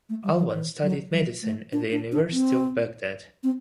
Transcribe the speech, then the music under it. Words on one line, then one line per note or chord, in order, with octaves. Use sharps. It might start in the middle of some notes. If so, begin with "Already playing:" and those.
Alwan studied medicine at the University of Baghdad.
A3
G3
F#3
E3
F#3
F#3
A3
D4
D4
D4
C4
C4